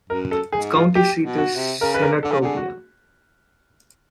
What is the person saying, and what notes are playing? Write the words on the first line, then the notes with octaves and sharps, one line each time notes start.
Its county seat is Senatobia.
F#2 A#4
A4
G#2 G#4
F4
G4
B2
F#4
C3
C#3 A#4
B4
A#4
D3 A4
C#3
D3 G#4
F#4